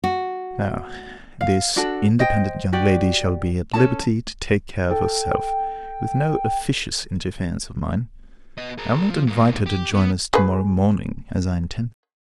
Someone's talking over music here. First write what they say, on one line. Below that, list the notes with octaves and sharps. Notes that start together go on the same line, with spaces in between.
Now this independent young lady shall be at liberty to take care of herself, with no officious interference of mine; I will not invite her to join us to-morrow morning, as I intended.
F#4
F5
D4 F#4 A4
C5 D#5 G5
F#4 G4 D5
C#4 G#4 A4 A5
A4 G5
B3 D#5
G#4 A#4
F3
G#2 A#3
G4
B3
G#4 B4